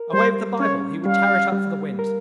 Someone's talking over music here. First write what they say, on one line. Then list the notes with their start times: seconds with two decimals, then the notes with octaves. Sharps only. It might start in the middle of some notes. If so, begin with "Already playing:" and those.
Away with the Bible: he would tear it up for the winds!
Already playing: A#4
0.13 G3 C5
0.60 C#4 C#5
1.06 G3 F5
1.52 G3
1.99 A#4